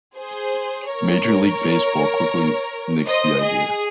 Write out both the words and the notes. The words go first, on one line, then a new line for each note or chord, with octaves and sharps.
Major League Baseball quickly nixed the idea.
G#4 C5
A#4 C#5
C5 D#5
G#4